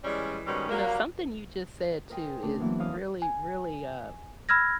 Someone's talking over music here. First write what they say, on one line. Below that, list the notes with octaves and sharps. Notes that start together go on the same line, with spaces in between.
you know, something you just said too is really, really a
E3 G3 G#3 C#4 D5
G#2 B2 D#3 G3 C#4
F#3 G3 A#3
A#4 C5 D#5 G5 G#5 C6
D3 A3 D4
E3 F#3 A#3 B3
E2 C#4 C5 F5 D#6
G#5
B5 E6 F6 G#6 A#6